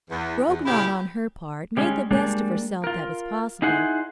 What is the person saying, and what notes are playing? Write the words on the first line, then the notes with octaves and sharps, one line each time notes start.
Grognon, on her part, made the best of herself that was possible.
E2
E2
A#2 C#3 E4 G4
G3 G#3 C#4
G3 G#3 A#3 D4
F4 A#4
D#4 E4 G#4 C5 F#5 C6